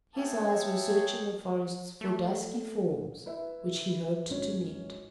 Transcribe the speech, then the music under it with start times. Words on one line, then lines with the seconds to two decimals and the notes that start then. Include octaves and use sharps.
His eyes were searching the forests for dusky forms, which he hoped to meet.
0.15 B3 G#4 C#5 E5 G5 A5
2.01 A3
3.26 E4 B4 E5
4.29 G#1 C#4 C#5